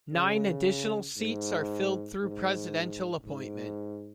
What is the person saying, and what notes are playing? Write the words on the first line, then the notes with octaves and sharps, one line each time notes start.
Nine additional seats are filled through presidential appointment.
C#3
G#2
G#2
G#2